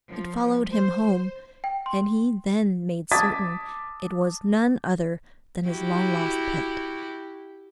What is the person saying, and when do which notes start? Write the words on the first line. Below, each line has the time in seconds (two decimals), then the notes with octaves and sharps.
It followed him home, and he then made certain it was none other than his long-lost pet.
0.11 F3
0.70 C5
1.64 G5
1.86 C6
3.12 A5 D6 D#6 G#6 A6 B6
5.68 E4 F#4 G4